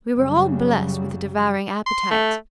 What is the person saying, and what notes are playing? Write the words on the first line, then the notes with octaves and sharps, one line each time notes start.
We were all blessed with a devouring appetite.
F#2 C#3 F#3 G3
C6
A3